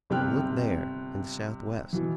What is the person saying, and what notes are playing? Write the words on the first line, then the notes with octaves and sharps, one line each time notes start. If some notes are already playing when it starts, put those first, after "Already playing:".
Look there, in the southwest.
G1 C3 D#3 G5 F6 F#6
B2 E3